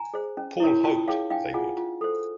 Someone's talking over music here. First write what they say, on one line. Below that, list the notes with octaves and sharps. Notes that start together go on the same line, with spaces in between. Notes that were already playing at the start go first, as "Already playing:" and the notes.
Paul hoped they would.
Already playing: G#5 A#5
G#4 C5
C#4
E4 G4 A#4 C#5
F4 G5 A5
G#4 C#5 F5 G5
D4 F5 G5
F4 G#4 F#5 G#5
F4
A4 C5